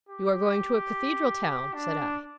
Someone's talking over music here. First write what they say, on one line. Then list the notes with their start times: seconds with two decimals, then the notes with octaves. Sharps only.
You are going to a Cathedral town?' said I.
0.09 G4
1.74 D4